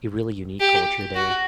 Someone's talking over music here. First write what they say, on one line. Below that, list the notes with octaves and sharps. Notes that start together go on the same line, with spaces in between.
a really unique culture there.
G4
F#4